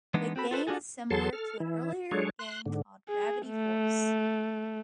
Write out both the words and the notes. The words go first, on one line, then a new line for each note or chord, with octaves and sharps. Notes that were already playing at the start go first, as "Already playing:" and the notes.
The game is similar to an earlier game called Gravity Force.
E3 G#3 B3 D4 D#4
C4 F#4 A4 B5
F4 A4 B4 C5
D4 F4 F#4 G#4 A4
E2 F#3 G#4 A4 A5 C6
A4 F6
E3 E4
F#3 G#3 D4 G#4 A4 C#5
C6 F#6
G#2 D3
G#4
A3